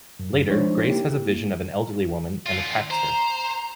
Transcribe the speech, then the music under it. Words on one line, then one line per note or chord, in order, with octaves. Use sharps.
Later, Grace has a vision of an elderly woman and attacks her.
F#2
F3 G#3 D4 D#4 C5 C#5
A#3 E4 G4
D3 F4
C5 A#5